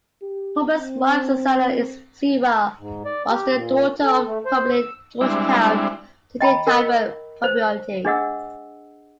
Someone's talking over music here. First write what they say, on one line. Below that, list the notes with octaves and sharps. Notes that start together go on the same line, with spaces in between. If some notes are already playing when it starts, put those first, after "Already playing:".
Hoban's wife Susanna Sewall was the daughter of the prominent Georgetown "City Tavern" proprietor.
G4
C4
G#2
D5
G4
A#2
A4
A3
C5
E6
G3 G#3 C4 D4 E4
D#5 G5 A#5 B5
A#4 D#5
C5
D4 G#4 D#5 F#5 E6